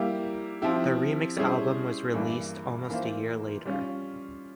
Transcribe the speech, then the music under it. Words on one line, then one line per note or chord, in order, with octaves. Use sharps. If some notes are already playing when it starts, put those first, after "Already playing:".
The remix album was released almost a year later.
Already playing: G3 A#3 E4 G4
F3 C4 E4 G4
G3 C#4 E4 G#4 C5
G2 E3 A#3
E3 A#3 F4 C5
G3 C#4 F4